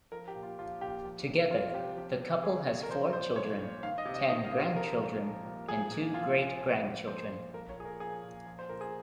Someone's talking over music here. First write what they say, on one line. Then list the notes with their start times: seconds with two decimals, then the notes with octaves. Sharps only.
Together, the couple has four children, ten grandchildren and two great-grandchildren.
0.12 F3 A#4
0.28 G4
0.35 A#2
0.43 F4
0.59 F3 F4
0.81 A#2 G4
1.05 F3
1.27 C3
1.51 F3 F4
1.74 C3 G4
1.97 F3 G4
2.21 C3
2.43 F3 G#4
2.67 C3 C#5
2.83 A#4
2.89 F3 C5
3.13 A#2 C5
3.36 F3 C#5
3.60 A#2
3.83 D#3 F5
3.98 D#5
4.05 C3
4.14 D#5
4.29 D#3 D#5
4.45 F5
4.52 C3
4.60 F5
4.75 F3 A#4
4.98 A#2
5.22 F3
5.45 A#2
5.68 F3 G#4
5.92 A#2
6.14 F3 F4
6.38 A#2
6.61 F3
6.85 A#2
7.07 F3 C5
7.31 A#2
7.53 F3 A#4
7.69 C#5
7.76 A#2 G#4
7.85 A#4
8.00 F3 G#4
8.23 A#2
8.46 F3
8.59 C5
8.69 A#2 A#4
8.81 G#4